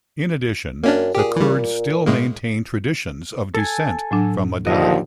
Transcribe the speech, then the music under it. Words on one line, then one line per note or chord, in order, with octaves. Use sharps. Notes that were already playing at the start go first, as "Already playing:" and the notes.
In addition, the Kurds still maintain traditions of descent from Madai.
F#2 A#3 C#4 D4
A#2 G4 G#4
E3 G3
A2 G#3 A#3
A4 G#5
A2 F#3 D4
D#2 D3 F3 D#5